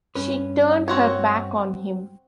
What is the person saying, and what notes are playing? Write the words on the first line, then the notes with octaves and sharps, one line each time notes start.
She turned her back on him.
G2 C#4 B4
C4 F#4 C#5